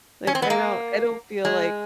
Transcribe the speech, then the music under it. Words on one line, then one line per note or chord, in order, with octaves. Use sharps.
Like, I don't I don't feel like
C#4
C4
B3
A#3
G#3